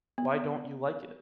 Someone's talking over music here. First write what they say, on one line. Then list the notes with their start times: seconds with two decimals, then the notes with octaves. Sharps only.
Why don’t you like it?
0.18 B3